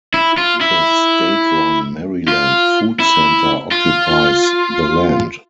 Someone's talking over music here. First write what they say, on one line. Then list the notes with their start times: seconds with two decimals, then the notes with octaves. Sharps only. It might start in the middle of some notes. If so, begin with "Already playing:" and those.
The State-run Maryland Food Center occupies the land.
0.14 E4
0.38 F4
0.61 E4
2.28 F4
3.00 E4
3.71 F4